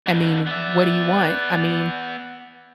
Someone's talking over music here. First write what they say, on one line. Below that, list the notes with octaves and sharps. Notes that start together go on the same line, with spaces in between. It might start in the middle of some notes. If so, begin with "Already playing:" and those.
I mean, what do you want? I mean,
F2 D3
B3 D5 E5